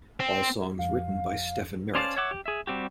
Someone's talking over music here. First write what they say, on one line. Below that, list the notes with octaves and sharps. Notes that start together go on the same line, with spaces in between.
All songs written by Stephin Merritt.
C4
F2 F5
C#4 C5 D5 F5 A5
C#5 E5 F#5 D6
G4
G#4 E5
G3 C4 F#4 G4